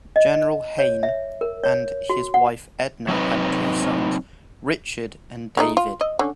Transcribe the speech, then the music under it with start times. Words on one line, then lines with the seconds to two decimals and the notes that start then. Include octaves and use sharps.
General Heyn and his wife Edna had two sons, Richard and David.
0.16 D#5
0.79 C#5
1.03 E5
1.41 A#4
1.64 C#5
2.10 F#4
2.34 F#5
3.08 F#3 C4 D#4 B4
5.57 G#3 A3 D#4
5.77 F4
6.01 D#5
6.19 D3 C#4